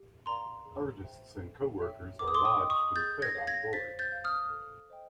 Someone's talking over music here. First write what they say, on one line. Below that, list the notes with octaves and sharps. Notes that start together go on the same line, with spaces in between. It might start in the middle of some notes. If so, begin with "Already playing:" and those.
Artists and co-workers are lodged and fed on board.
Already playing: G4
A#4 D5 F5 A#5 C6
G#4
C5 E5 G5
A4
C#5 E5 G5
A#4 D6
D#6
C6 D6
C#6 D#6
D#5 G5
C#6 D#6
G#4 G6 A6
G#6 A#6
C#5 F5
G#6 A#6
C5 A6 B6
G6 A6
F5
D#6 F6
A4
C5 D#5 G5